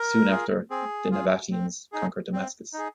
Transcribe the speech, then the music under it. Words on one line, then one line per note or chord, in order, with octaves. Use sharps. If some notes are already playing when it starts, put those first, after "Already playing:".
Soon after, the Nabateans conquered Damascus.
Already playing: A#4
F4 G#4
C4 G#4
F4 G#4
C4
D#4 G#4
C4
D#4 G#4